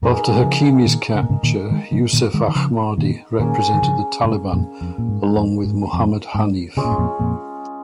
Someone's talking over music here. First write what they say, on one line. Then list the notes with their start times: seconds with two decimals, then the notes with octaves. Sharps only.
After Hakimi's capture, Yousef Ahmadi represented the Taliban, along with Muhammad Hanif.
0.02 F2 A#2 A#3 D#4 G#4 F5
0.34 G#3
0.44 C#3 F3
0.86 A#2 D#3
1.15 C#3
1.22 A#2
1.29 G#2 C#3
1.43 A#2 D#3
1.71 D#3 G#3
1.92 C#3 F3
2.13 A#2 D#3
2.34 D#3 G#3
2.48 D#3
2.55 C#3 F3
2.98 A#2 D#3
3.39 A#2 D#3 A#3 C#4 G#4
3.74 D#3
3.82 C#3 F3
4.24 G#2 C#3
4.52 F2 A#2
4.81 F2
4.98 A#2
5.09 G#2
5.37 F2
5.65 G#2
5.93 F2
6.35 G#2
6.77 C#3 G#3 C#4 F4 C#5
6.85 A#2
6.91 G#2
6.98 F2 A#2
7.20 F2 A#2